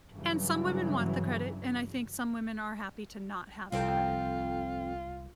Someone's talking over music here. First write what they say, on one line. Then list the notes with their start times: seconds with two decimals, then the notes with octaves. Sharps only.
And some women want the credit, and, I think, some women are happy to not have the credit.
0.12 G2 C#3 E3 F#3
3.72 C2 F2 C4 F4 A4